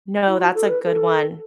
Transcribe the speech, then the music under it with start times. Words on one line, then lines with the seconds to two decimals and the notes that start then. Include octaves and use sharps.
No, that's a good one.
0.26 E4
0.39 F#4
0.54 A4
0.68 B4
0.83 A4